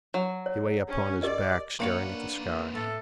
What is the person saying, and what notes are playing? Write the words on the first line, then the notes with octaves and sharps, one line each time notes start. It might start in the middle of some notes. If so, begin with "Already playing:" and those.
He lay upon his back staring at the sky.
F#3
C#5
C#4
G4 A#4 D5 D#5
A#3 C4 D4 B4 C#5 F5 F#5 C#7
A2 A4